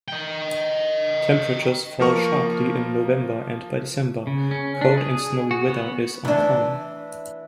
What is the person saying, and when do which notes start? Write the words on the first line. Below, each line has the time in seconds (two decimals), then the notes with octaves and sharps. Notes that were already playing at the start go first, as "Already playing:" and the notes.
Temperatures fall sharply in November and by December, cold and snowy weather is uncommon.
0.08 D#5 G5
2.00 F3 A#3 A#4 C#6
4.27 C#3
4.51 C#4
4.81 D4
4.97 G#4
5.51 F#4
5.70 B3
6.25 E3 D4